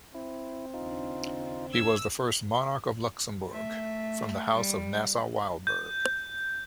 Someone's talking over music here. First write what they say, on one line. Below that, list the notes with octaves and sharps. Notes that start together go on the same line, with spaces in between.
He was the first monarch of Luxembourg from the House of Nassau-Weilburg.
C4 E4
D#2 C#3 D4 D#4 F4
E6 G#6
A3 E5
G3
G6